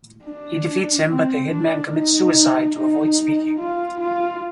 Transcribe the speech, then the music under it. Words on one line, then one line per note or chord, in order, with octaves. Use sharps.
He defeats him but the hitman commits suicide to avoid speaking.
D4
C4
D4
D#4
D#4
F4
F4